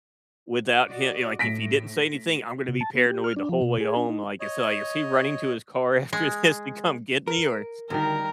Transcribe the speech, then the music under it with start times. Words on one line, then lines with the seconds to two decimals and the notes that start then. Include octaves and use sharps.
without him you know, like if he didn't say anything, I'm gonna be paranoid the whole way home, like it's like, is he running to his car after this to come get me, or,
0.87 F#4 D5 D#5
1.39 A2 A3 A#6 B6 D7
2.68 C3
2.81 A5
2.95 B3
3.11 G4
3.24 F6
3.36 D4
3.49 F3
3.62 B2
3.81 G#4
3.97 D4
4.09 D#4
4.40 C#5 D#5
6.13 G#3
7.27 A#4
7.90 D2 D#3 G3 G#4 A#4